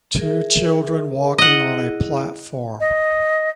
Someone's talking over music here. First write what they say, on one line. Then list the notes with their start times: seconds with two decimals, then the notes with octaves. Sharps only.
Two children walking on a platform.
0.18 G#4 A#4 E5
1.38 E4 G#4 D#5 F#5
2.80 D#5